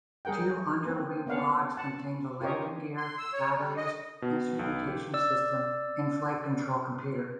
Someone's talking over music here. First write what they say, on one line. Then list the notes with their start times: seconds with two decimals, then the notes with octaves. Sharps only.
Two underwing pods contain the landing gear, batteries, instrumentation system, and flight control computer.
0.25 G3 G#4 A#4 F#5 G5
0.86 A#3 C4
1.27 A#3 B3 C#4 D4 F5 F#5
1.77 F#5 A5
2.41 F4 G4 A#4 C#5 D#5
2.98 C6
3.18 E6
3.33 C#5
3.56 G3
3.77 D#5
4.22 B2
4.59 B1
4.87 G4
5.14 D5 E6